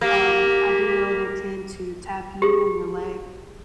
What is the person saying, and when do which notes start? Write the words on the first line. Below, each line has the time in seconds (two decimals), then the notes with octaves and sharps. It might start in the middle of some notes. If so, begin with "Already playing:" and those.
um, I do know their tend to tap you on your leg
0.01 A#3 G4
2.42 G4 G#4